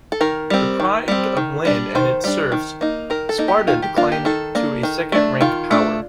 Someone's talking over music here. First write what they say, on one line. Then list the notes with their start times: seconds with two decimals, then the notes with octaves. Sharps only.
Deprived of land and its serfs, Sparta declined to a second-rank power.
0.12 A4
0.21 D#3 A#4
0.50 G3 C4
0.80 D#3
1.08 G3 C4
1.37 D#3
1.65 G3 D4
1.95 D#3 C5
2.24 G3 D4
2.52 D#3
2.81 A#3 D#4
3.10 D#3 A#4
3.29 A4
3.38 A#3 D#4
3.48 G4
3.67 D#3 F4
3.82 G4
3.96 A#3 D4 F4
4.12 G4
4.25 D#3 A4
4.55 A#3 D4
4.83 D#3
5.12 A3 D4
5.41 D#3 F4
5.71 A3 D4